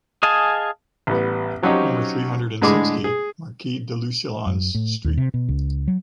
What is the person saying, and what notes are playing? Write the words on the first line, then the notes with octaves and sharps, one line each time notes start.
Number three hundred and sixty, Maquis de Lucelans street.
G#4 D#5 F5 G#5 A5
A1 G3 B3
F3 F#3 C4 C#4 D#4 G4
A2 D3 G#3 G#4 B5 D6
G#4
F#2
A2
D#2
C3
B2
C#2
F#3